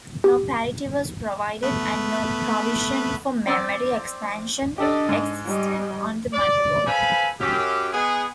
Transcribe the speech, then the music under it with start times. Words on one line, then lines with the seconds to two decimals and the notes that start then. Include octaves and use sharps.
No parity was provided and no provision for memory expansion existed on the motherboard.
0.24 G4
1.63 A3 B3 B4
3.47 C4 D5 E6
4.78 D4 G4 A4 D5 D#5
5.09 G#2
5.45 G3 D#5
6.33 D5
6.87 A4 B4 C5 F5 G#5 B5
7.40 F#2 G4
7.93 G#3 B3 G#4